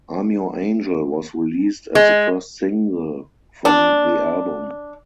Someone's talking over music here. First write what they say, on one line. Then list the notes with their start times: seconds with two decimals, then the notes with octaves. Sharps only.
"I'm Your Angel" was released as the first single from the album.
1.95 G#3
3.65 D4